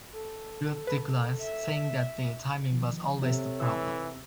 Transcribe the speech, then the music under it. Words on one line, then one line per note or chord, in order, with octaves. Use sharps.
Ruth declines, saying that their timing was always the problem.
A4
B4
E5
D3 D#3 F3
C3 A4 C#5
E3 E6